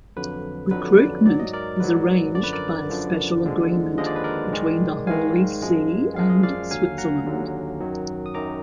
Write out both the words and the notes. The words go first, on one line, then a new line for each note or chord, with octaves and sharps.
Recruitment is arranged by a special agreement between the Holy See and Switzerland.
F2 D3 F#3 B4
F2 D3 F#3 B4
D5
B4
G#2 F#3 D5
D#5
A#4 D5
G#2 F#3 B4
F#2 D3 F3 D5
B4
A#4 D5
F#2 D3 F3
D#2 D3 F3 G#3
D#2 D3 F3 G#3 D#5
D5
B4
A#4 D5
G#2 D#3 G#3
G#2 D#3 G#3 F5 G#5
F#2 F3 G#3
F#2 F3 G#3 F5
D#5
D5 F5
D#2 D3 F#3 F5 G#5
F#5 A#5
D#2 D3 F#3
F#2 D#3 F#3
D#6
F#2 D#3 F#3 A#5 D6